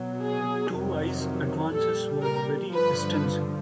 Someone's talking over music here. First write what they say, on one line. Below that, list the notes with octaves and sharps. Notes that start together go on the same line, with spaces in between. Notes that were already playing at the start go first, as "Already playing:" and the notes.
Two ice advances were very extensive.
Already playing: B2 F#3
G#4
F2 C3 D#3 F#3
A#2 G3 A4
A#4
G2 D3 F3 B4